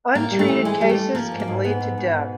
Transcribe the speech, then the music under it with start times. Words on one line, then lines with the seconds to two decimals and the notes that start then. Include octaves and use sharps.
Untreated cases can lead to death.
0.14 A2 A#3
0.31 G3
0.39 A3
0.48 E3
0.65 E3 G#3
0.81 G3
0.89 A3
0.98 G3
1.15 F3 A#3
1.31 G#2
1.40 A#3
1.48 G#2
1.64 G#2 B3
1.80 G#2
1.98 G#2
2.14 B2